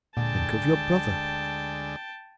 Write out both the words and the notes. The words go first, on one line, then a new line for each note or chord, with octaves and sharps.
Think of your brother!
D2 A#2 D3 G#3 G5 A5